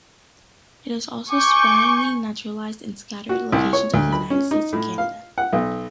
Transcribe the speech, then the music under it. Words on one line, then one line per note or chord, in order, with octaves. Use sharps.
It is also sparingly naturalized in scattered locations in the United States and Canada.
G#5 C#6 D6 G6
F#4
C2
C#5
D2
B5
C#4
D#4
A2
F5
F#5
B1